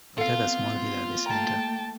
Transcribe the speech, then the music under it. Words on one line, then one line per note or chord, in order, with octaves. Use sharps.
It has a small hill at the center.
B3 C4 F4 A4 F5
A3 A#3 G5 A5 A#5